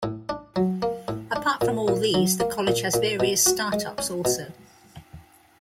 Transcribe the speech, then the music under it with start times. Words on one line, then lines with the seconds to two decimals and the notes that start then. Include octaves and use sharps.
Apart from all these the college has various start-ups also.
0.03 A2
0.29 D4
0.56 F#3
0.82 A#3
1.08 A2
1.36 D4
1.61 A#2
1.88 A#2
2.14 F#3
2.40 A#3
2.67 A#2
2.94 A#2
3.20 B2
3.46 F#4
3.72 G#3
3.98 C#4
4.25 B2